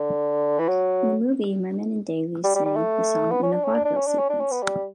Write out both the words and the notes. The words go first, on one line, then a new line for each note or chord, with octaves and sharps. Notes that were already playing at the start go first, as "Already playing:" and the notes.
In the movie, Merman and Dailey sang the song in a vaudeville sequence.
Already playing: D3
E3
F#3
G3
G3
G3
A3
B3
C#4
D4
C#4
D4
D4
C#4
D4
C#4
D4
C#4
B3
G3